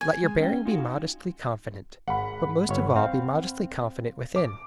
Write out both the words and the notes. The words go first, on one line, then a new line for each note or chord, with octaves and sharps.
Let your bearing be modestly confident, but most of all be modestly confident within.
G#5
G#3
C#4 G5
D#4 F4 F#4
G#1 F#5 B5
G1 C#5
C4 F5
D6